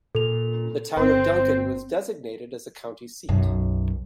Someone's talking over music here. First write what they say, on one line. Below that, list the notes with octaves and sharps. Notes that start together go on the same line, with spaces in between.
The town of Duncan was designated as the county seat.
A#2 A4 F7
G1 C4 C5
B1 F#2